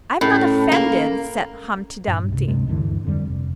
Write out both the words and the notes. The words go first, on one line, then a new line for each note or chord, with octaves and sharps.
'I'm not offended,' said Humpty Dumpty.
A2 C#4 A4 A#4
A#3
G2 A#2
C#2 C3
D2 G2 C3 G#3
D2 G2 D3 E3
F2 D3 G3
F1